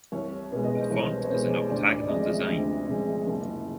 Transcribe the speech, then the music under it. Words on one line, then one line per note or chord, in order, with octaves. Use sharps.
The font is an octagonal design.
C2 C#5
B2 G#3
D#5
C5
C2 C#5
C5
C#5
B2 G#3 C5
D5
D2 D5
D5
C3 F3 G#3 D#5
E5
D2
C3 F3 G#3
F#1